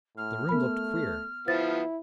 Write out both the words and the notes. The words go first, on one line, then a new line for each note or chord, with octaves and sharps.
The room looked queer.
A2 F6
A3 B3 A#4 B5
F3 B3 E4 C5 A6